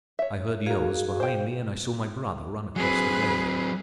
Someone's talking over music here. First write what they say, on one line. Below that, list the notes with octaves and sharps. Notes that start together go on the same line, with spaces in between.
I heard yells behind me, and I saw my brother run across the glade.
C#5 E5
D#4 F#4 G#4 A#4 F5
C5 G5
F#3 C4 G#4 B4